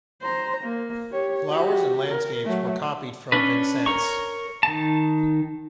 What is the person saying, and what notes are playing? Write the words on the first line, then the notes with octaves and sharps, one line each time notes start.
Flowers and landscapes were copied from Vincennes.
C5 A#5
A#3
G4 C#5
F#4 G4
A#4
F#3 A3
C#4 D4 B4
A#4 C#5 A#5 C#6
D#3 A5